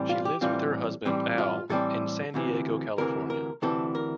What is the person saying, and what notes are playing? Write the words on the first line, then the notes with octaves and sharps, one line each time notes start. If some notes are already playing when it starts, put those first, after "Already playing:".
She lives with her husband, Al, in San Diego, California.
Already playing: A2 E3 G3 C4
F4
G4
A2 E3 G3 C4 F4
A2 E3 G3 C4
F4
A2 E3 G3 C4 A4
D2 C3 E3
D2 C3 E3 A#4
A#4
D2 C3 E3 A4
A#4